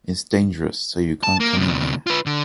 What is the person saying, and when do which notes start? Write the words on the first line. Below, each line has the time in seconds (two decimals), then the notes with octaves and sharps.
It’s dangerous, so you can’t come in here.
1.23 A5
1.40 A#3
1.57 D2 C3
2.07 F4 B4
2.26 D3